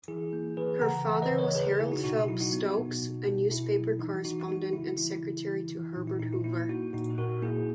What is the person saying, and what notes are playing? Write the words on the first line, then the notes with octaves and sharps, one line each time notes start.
Her father was Harold Phelps Stokes, a newspaper correspondent and secretary to Herbert Hoover.
E3 E4 G#4
A#3
E3 G#4 B4
C#3 F#5 A#5
E3 F#5 A#5
B4 D#5
C#3
A#4 C#5
C#3 G#4 B4
C#3 E4 G#4
D#4 F#4
B2 D#4 F#4
D#4
F#3 E4
D#4 F#4
B3
B2
B2
B2
B2 E4
F#3
E3 D#4
E3 D#4 F#4
G#3 D#4 F#4
C#3 E4
E3 E4
C#3
E3
E3
A#2 D#4
E4
A#2 D#4
E4
A#3 E4
A#3 D#4 F#4
A#2 D#4 F#4
A#2 F#4 A#4
A#3 E4 G#4